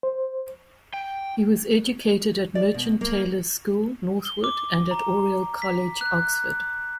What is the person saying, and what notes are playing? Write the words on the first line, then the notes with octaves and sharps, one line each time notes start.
He was educated at Merchant Taylors' School, Northwood, and at Oriel College, Oxford.
C5
G5
D5
B2
A#3
G7
D6
A#5
B6
F#6